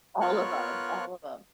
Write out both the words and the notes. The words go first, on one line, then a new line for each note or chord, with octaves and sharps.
All of 'em, all of 'em.
B3 F4 A#4 C#5 C#6 F#6